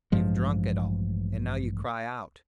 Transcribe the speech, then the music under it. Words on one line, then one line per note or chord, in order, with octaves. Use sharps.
You've drunk it all and now you cry out.
A1 G2 F3 G#3